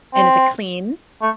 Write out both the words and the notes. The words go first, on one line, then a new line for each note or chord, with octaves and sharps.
And is it clean?
C4
A3